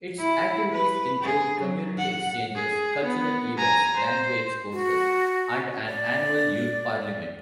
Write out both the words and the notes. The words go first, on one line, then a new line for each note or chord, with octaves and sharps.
Its activities include community exchanges, cultural events, language courses and an annual youth parliament.
E4
B4
G#4
F#3
F#5
G#4
B3
G#5 A#5
C5
F#4
D5